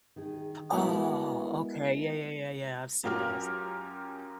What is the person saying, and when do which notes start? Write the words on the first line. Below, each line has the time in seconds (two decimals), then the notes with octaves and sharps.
Oh, okay yeah, yeah, yeah, yeah. I've seen those.
0.16 D#3 G#4
0.72 G#3 B3 E4 F#4 A#4
3.04 F#2 F4 G4 A#4 F6